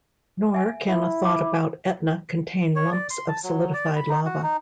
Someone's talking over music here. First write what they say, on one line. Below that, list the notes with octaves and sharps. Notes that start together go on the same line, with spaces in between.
Nor can a thought about Etna contain lumps of solidified lava.
E5 G#5
E4
D6
C#5
D5
C6
A5
F#3
D5
B5
D#4
F#4
D#4